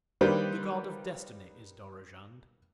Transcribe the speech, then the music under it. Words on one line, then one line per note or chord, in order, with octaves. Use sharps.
The god of Destiny is Dorozhand.
D#3 G3 A#3 D4 B4 C5